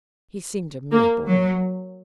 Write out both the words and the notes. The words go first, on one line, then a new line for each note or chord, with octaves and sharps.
He seemed a mere boy.
A#3
F#3